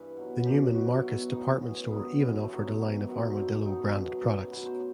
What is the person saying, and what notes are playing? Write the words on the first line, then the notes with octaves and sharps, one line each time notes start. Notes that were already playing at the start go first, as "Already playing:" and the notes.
The Neiman Marcus department store even offered a line of Armadillo-branded products.
Already playing: G2 E3 B4
B2 F#3
F#2 D#3 F#3 G4
B2 F#3 F#4
E4
B2 F#3
A2 E3 D#4
F#2 E3 B3
G2 D#3 F#3 B3
F#2 E3 B3
A3
G2 F#3 B3
B2 F#3
F#2 D#3 F#3
F#2 F#3 C4
B2 F#3 D#4
B2 F#3
F#2 F#3 G4
B2 F#3 B4
C5